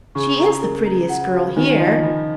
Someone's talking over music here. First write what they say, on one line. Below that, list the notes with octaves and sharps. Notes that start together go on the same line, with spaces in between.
"She is the prettiest girl here."
C#3 C#6
A#5
A#4
A#5
F#5
F#4
D#3 G#5
F3 D#5
F3 F4